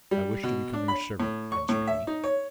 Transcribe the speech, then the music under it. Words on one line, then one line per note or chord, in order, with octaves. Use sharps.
'I wish to become your servant,' answered he.
G3
B2
D4
B5
A2
C#6
A2
E5
D#4
C#5